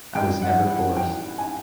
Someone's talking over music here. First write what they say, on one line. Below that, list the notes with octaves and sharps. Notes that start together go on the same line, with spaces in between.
I was never forced.
G2 G5
F#5
E3
F#5
E3 G5
G#5